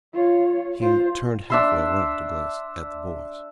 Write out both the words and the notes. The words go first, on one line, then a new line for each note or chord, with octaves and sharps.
He turned halfway around to glance at the boys.
F4 C#5
F4 C5
D4 E5 C6